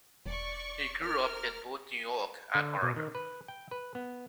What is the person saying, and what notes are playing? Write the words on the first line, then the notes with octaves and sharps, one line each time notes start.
He grew up in both New York and Oregon.
E1 D5 C#6
A#4 F6
D3
B2
D#3
B4
G5
B4
B3